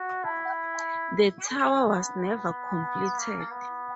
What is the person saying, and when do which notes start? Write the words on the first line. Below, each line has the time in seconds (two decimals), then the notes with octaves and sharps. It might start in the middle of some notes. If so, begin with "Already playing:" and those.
The tower was never completed.
Already playing: F#4
0.24 E4
1.55 C#4
1.87 B3
3.18 A#3
3.51 B3